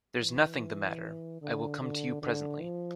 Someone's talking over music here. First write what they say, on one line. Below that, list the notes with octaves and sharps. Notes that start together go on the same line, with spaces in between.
There's nothing the matter; I will come to you presently.
E3
D3
D3
D3
F3